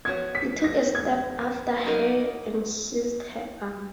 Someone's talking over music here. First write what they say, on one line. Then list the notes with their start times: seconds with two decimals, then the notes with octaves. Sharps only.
He took a step after her and seized her arm.
0.05 F3 B3 F#4 C#5 G#6
0.35 B6
0.64 A#6
0.95 G#6
1.84 F#3 A#3 D#4 A#4